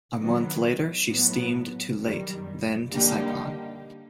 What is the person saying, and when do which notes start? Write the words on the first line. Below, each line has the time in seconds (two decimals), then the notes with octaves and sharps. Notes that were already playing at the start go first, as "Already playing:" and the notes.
A month later she steamed to Leyte, then to Saipan.
0.18 D#3 F#3 B3
1.09 A2 F#3 B3
2.00 F#2 D#3 G3
2.91 D3 G3 A#3 D#4 G4